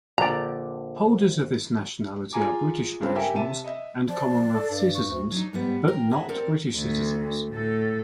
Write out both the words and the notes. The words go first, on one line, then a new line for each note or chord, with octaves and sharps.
Holders of this nationality are British nationals and Commonwealth citizens, but not British citizens.
A#1 D3 D5 A#5
F4 G#4 G#5 A#5 D6
G2 C#3 G3 C4 F4
G4 A#4 E5 G5 G#5
C3 E5 A5 D#7
D#5 E5
F3 D5
A4
G2
C#6
D2
F#3 D4 D#4
G#2 G3 B3
A#4 G5
G#4 D#5 E5 F#5
C4 A4 A#4 D5
D2
A2 A4